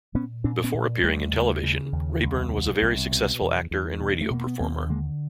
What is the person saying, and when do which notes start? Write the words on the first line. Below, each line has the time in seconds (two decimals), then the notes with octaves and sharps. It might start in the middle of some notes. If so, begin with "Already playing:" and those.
Before appearing in television, Rayburn was a very successful actor and radio performer.
0.14 A#2 B3 C#4
0.44 A#2 C4 D4
0.64 B3 C#4
0.74 A#2
1.04 D#2 G3 A3
1.33 C#3
1.63 C#3
1.92 D#2
2.23 C2
2.52 B2
2.82 C2
3.11 B2
3.41 E2
3.71 E2
4.01 B2
4.21 A3
4.31 B2 A#3
4.47 B3
4.60 D#2 A#3 C4
4.89 D3 G#3 A#3